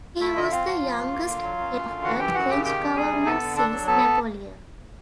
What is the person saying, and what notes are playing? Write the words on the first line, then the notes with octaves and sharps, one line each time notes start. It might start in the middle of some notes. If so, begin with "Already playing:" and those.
He was the youngest head of a French government since Napoleon.
A3 E4 E5
D3 D#5
E5
C4 F4 F5
F3
F3
D#2
A#3
D3
F#3
F#2
F#2
D3
E3 F#4 F#5
F#2 G4 G5
F#2 F#4 F#5
C#3 G4 G5
D#3 G4 G5
F2
G3 G#4 G#5
C3
B3 A4 A5
D3
D4 A4 A5
F#3
B3 A4 A5